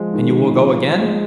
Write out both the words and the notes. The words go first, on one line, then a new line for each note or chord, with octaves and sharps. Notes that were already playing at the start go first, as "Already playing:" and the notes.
"And you will go again?"
Already playing: F3 G#3
D#3
F3
G#3